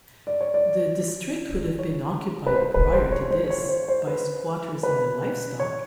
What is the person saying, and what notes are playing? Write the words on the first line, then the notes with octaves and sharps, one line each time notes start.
The district would have been occupied prior to this by squatters and their livestock.
D5
C#5
D5
C#5
B4
C5
B4
C5
C#5
C5
C#5
C5
C5
B4
B4
C#5